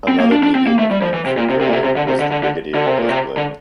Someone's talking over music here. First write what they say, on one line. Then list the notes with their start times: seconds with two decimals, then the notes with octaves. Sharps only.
Another media nickname for Gray was the "Brigadier of Bling".
0.08 C4
0.20 A#3
0.32 D4
0.43 D4
0.55 C4
0.67 A#3
0.79 A3
0.91 G3
1.02 F3
1.14 E3
1.26 C3
1.37 A#2
1.50 C3
1.61 C3
1.69 A#2
1.73 C3
1.84 C3
1.96 D3
2.08 C3
2.20 D3
2.31 D3
2.43 D3
2.75 D3
2.87 C3
2.98 A#2
3.09 C3
3.37 D3